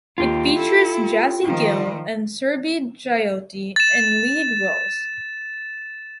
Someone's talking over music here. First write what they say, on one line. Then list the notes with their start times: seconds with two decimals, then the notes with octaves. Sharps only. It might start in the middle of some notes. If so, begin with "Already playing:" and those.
It features Jassie Gill and Surbhi Jyoti in lead roles.
0.18 D#2 F4 G4
0.56 E4 A4
1.43 D#3 F3
3.76 A6 E7